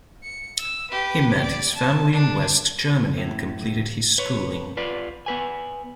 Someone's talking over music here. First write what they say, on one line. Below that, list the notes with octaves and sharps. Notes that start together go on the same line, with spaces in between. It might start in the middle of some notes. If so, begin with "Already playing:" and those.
He met his family in West Germany and completed his schooling.
C#7
E6
G4 B4
D5
A5
D4
A2
B4 C#5
F4 B4 D5
B3 B4 G#5